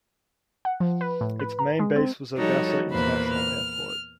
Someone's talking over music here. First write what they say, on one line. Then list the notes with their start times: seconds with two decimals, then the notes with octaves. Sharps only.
Its main base was Odessa International Airport.
0.65 F#5
0.80 F3
1.01 B4
1.21 A2
1.39 B4
1.59 A#5
1.79 G#3
1.96 C4
2.36 F3 G3 D#4 F#4 A4 C#5
2.91 E2 A#2 A#3 B4 C5 B5
3.35 F6